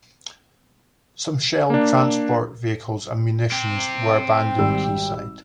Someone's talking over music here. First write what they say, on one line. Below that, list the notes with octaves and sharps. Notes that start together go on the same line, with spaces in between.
Some shelled transport vehicles and munitions where abandoned quayside.
A#3 D4
C4 G4
G5
G#1 G3 E6